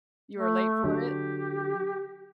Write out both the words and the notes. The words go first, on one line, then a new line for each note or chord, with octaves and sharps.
You were late for it?
A3
D3 F#3 G4